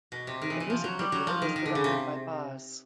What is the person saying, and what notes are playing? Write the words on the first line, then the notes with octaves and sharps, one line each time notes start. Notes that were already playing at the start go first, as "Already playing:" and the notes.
The music video was directed by Baz.
B2
C3
D#3
E3
E3
F3
F#3
G3
F#3
F3
D#3
D#3
D3
C#3
C3